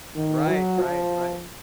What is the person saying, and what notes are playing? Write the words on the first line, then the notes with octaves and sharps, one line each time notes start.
Right, right, right.
D#3
F#3
F3